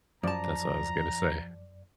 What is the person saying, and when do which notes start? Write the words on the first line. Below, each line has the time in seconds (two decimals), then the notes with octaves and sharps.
That's what I was gonna say.
0.23 F#2 F3 D5 A5 A#5